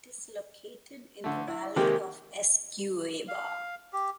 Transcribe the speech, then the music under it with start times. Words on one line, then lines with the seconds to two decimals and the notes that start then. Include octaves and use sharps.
It is located in the valley of Esgueva.
1.24 D3 A3
1.48 E4
1.76 C3 D#3 G#3 A#3 G4
3.28 F5
3.93 G4